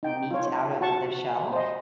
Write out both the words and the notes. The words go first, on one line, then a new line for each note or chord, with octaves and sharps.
meat out of the shell,
D#4 G5
F4 C#5
F#4 F#5 A5 C#6
C5 D#5